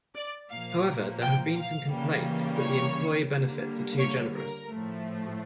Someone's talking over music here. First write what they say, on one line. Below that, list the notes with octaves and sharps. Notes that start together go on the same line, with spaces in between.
However, there have been some complaints that the employee benefits are too generous.
D5
A#2 F3 A#3 F5
G5
F5
C#3 E3 G3 A#3
C#5
D3 G3 A#3
C#5
A#4
A2 F3 A3